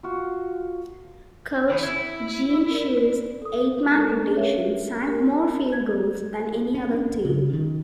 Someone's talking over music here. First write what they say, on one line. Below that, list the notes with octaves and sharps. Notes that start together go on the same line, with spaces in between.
Coach Gene Shue's eight-man rotation sank more field goals than any other team.
F4 F#4
D3 E3 B3
E4 G#6
A#4 D5
A4 D#6
G#3 C#4 A4 A#4
C#4 D4
G#4 A#4 B4 C#5 E5 F5
E5
G4 A#4
G#6
C#4
D4
C#3
D#3